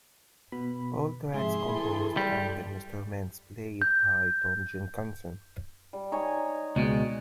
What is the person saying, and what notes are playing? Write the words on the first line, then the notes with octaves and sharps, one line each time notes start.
All tracks composed and instruments played by Tom Jenkinson.
B2 B3 B5
G#2 C3 F3 G#4 E5 C6
E3 E4 A4 B5
G3
G6
G3
D#4 C#5 G#5
C#2 B2 G#3 D#5